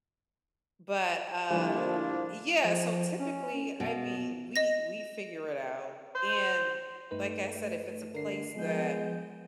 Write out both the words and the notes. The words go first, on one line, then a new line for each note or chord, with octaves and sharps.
But, uh, yeah, so typically I mean we we figure it out and, like I said, if it's a place that
A2 D3 F3 G3 A#3 D4 E4 F4
F3
C#4
B2
D#5 A#6
C5
G2 A3 D#4 B4
D3 A#4 C7
F3 G#3 B3 G6